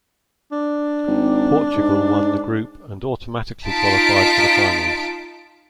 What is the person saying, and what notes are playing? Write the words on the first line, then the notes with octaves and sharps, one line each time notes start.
Portugal won the group and automatically qualified for the finals.
D4
G#1
G#2
D#4 F4 A5 B6 D7